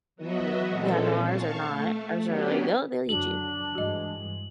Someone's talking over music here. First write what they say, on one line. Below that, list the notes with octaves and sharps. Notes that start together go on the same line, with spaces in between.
Really? Yeah, no, ours are not. Ours are like they'll they'll eat you.
F#3 B3 F#4 D#5 E5
A#2 E3 G#3 C4 C#4 A4
F5 A5 C#6
A3
F#3 B3 C#4 D4 G4
F#2 D3 F#3 D4 F#4 F#7
G2 E3 G#3 F#4 D#5